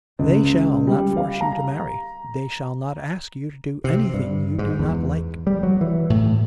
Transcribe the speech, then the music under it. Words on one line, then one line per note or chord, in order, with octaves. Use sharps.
'They shall not force you to marry, they shall not ask you to do anything you do not like.
C#2
G3
F5
A#5
C3
G2
G#2
E2
G3
F#3
E3
A2